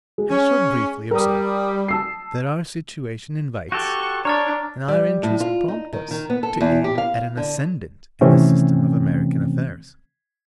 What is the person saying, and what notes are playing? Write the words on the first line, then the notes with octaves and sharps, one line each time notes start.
I shall briefly observe, that our situation invites and our interests prompt us to aim at an ascendant in the system of American affairs.
G#3
C#4
G3 A#4 D#6
A5 E6 C7
F#4 G4 A4 C#6
D4 C#5 A#5 C#6 F6 A6
G3
A2
F4
D#4
D#3
D#3
B3
A4
E2
G4
F5
D3
C3 D#3 E3 A3 C4 C#4